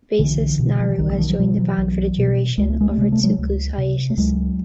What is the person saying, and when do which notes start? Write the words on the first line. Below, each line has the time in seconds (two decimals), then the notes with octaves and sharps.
Bassist Naru has joined the band for the duration of Ritsuko's hiatus.
0.19 B1 D3 E3
0.59 B2
0.80 F3
0.90 E3
0.98 B1 D#3
1.13 F#3
1.18 D#3 F3
1.30 F#3
1.38 B2 F3 G3
1.58 E3 F#3
1.78 B1
2.18 B2
2.58 C#2 G#3
2.70 A3
2.81 G#3
2.91 A3
2.98 C3 G#3
3.12 A3
3.23 F#3 G#3
3.38 C#2
3.78 C3
4.10 A3
4.17 C#2 F#3 G#3